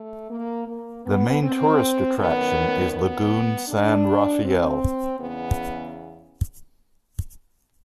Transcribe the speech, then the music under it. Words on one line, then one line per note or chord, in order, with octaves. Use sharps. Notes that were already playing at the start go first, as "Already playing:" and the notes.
The main tourist attraction is Lagoon San Rafael.
Already playing: A3
A#3
A#3
B3
C4
F#2 D#3 B3
B3
D4
C4
E2 C#3 B3